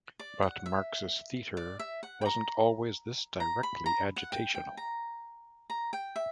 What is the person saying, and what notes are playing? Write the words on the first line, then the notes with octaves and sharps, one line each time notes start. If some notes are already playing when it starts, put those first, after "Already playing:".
But Marxist theatre wasn't always this directly agitational.
D5
F#5
E5
D5
E5
F#5
G5
A#5
A#5
B5
A#5
F#5
G5
G5
A#5
A#5
G5
E5